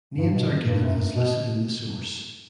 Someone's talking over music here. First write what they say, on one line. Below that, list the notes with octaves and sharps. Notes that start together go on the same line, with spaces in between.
Names are given as listed in the source.
G2
B2
G2
F#2
G2
B2